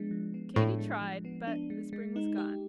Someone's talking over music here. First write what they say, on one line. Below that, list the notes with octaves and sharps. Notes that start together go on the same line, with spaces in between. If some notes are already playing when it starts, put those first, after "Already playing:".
Katy tried, but the spring was gone.
Already playing: F3 G#3 B3 D4
F3
B3
A2 D4
G#3
F3
B3
D4
G#3
G#3
D#4
G4